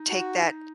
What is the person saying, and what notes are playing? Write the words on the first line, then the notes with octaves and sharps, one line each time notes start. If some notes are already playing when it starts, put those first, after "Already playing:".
take that
Already playing: D#4
F#4